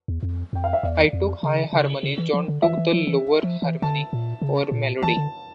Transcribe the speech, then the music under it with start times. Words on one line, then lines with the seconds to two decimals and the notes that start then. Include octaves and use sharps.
I took the high harmony, John took the lower harmony or melody.
0.08 E2
0.23 F2
0.53 F2 G5
0.64 F5
0.73 E5
0.83 E2 D5
1.13 F2
1.43 C#3
1.73 C#3
2.03 C#3
2.18 E3
2.33 F3
2.48 D3
2.62 E3 E5
2.77 E3
2.93 F3
3.07 E3
3.43 F3
3.62 E3
3.82 D3 A5
4.13 A#2
4.42 C#3
4.71 A#2
5.02 E3 A5
5.17 D3